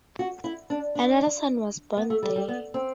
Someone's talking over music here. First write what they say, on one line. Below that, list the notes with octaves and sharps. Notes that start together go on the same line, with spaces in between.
Another son was born there.
F#4
E4
D4
D4
B3
A3
G3
G3
B3
C4